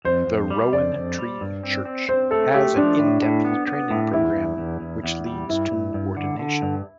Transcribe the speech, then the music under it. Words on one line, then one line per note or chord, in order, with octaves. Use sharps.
The Rowan Tree Church has an in-depth training program which leads to ordination.
F2 C5
F2
G3
F2 D5
F2
G3
G2
C4
C4
C4 C5
A3 A4
A3 G4
F3 D4
A2
A2
B3
B3
A2
E2 E4
E2
E2
E2
E2
G3
G2 E4
G2
G2
D3
D3
G2